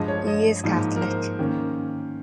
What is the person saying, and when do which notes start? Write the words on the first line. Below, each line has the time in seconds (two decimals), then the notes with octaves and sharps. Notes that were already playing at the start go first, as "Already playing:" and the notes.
He is Catholic.
Already playing: G2 F3 G#3 D#5
0.08 C#5
0.19 C#5
0.27 D#5
0.64 G#2 F3 A#3 D#4
0.96 A#4
1.01 C5
1.39 D#3 A#3 C#4